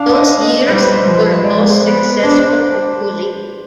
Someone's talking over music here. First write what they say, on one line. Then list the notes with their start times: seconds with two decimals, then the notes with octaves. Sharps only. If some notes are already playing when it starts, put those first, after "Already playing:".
Those years were most successful for Kulig.
Already playing: D4 F5
0.15 D#5
0.41 D#5
0.66 G3 B4
0.75 C5
0.82 B4
0.92 C5
1.06 F3
1.18 B4
1.44 G#3 D5
1.70 C5
1.83 B3
1.96 B4
2.21 D4 C5
2.48 C5